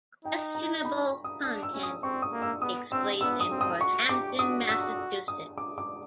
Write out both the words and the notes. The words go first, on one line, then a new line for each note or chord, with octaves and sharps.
"Questionable Content" takes place in Northampton, Massachusetts.
D#4 G5
A#5
B5
D#6
D4 D#6
E6
C#4
D#6
C4 C#6
D#6
A#3
E6
B3 D#6
C4 E6
B3 E6
D#6
C4
D#6
F#4 C#6
G4 D6
F#4 D#6
E6
D#6
D6
D6